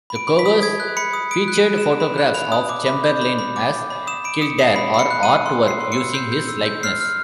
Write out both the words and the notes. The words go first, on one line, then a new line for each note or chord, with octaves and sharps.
The covers featured photographs of Chamberlain as Kildare, or artwork using his likeness.
B5
D7
B5
B6
D#6
D#6 G#6
F#6
B5 C#7
D#6
D#6 D7
F#6
D#7
F#6
E7
B5
B5
F#6
B5 F7
D#6
D6
B5
G6
B5
B5
D6
B5
B5
D#6 E7
B5 D7
D#6 C#7
D#6 C7
B5
B5
C#7
F#6
D#7
D#6
C6
E6
C7
C6
C#7
E6
G6 C7
G6
E6
G6
F6 C7
F6